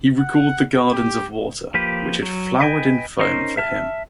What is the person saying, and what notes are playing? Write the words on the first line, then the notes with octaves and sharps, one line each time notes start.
He recalled the gardens of water which had flowered in foam for him.
F#5
G4
F3 A#3 G4 B4
F#3
B4 D#5 G5 G#5
C#4 D#4 A#4 C5
E5 A5 F6